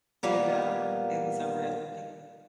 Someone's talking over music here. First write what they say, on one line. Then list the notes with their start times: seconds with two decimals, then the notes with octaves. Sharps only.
You know, it was a real big
0.23 A#2 G3 A#3 B3